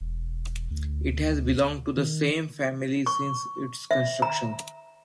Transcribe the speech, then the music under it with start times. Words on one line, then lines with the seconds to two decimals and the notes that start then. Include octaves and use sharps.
It has belonged to the same family since its construction.
0.01 E1
0.71 D2
1.97 D#3
3.06 C#6
3.91 E5
4.22 A#5